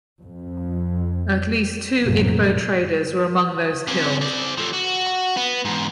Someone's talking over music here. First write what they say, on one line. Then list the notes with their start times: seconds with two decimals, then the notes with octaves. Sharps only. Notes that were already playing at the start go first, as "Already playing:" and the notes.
At least two Igbo traders were among those killed.
0.23 F2
2.02 A#1 F#2 A2 C3 A#3
3.88 C3 C#4
4.22 C4 D5
4.57 F3 A3
4.73 F#4
5.37 B3
5.65 E2 G#2